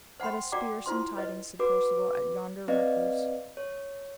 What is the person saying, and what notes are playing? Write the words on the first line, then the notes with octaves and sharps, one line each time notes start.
Let us spere some tidings, said Percivale, at yonder recluse.
C5 F#5 G5 B5 C6
F#4 D5 F#5 G5 A#5 D6
E4 F4 C5 C6
B4 C#5 D#5
F#4 B4 D6
C4 B4 D5 D#5 F5
C#5